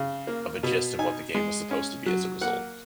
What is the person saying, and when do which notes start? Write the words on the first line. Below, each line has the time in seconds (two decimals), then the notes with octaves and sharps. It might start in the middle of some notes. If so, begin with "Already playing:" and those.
of a gist of what the game was supposed to be as a result.
Already playing: C#3
0.27 A#3
0.63 B2
0.99 D#4 G#5
1.35 G#3
1.71 C#4
2.06 F#3
2.41 A#3 F#5